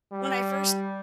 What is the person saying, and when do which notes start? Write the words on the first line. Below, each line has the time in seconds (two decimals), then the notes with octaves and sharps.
when I first
0.12 G3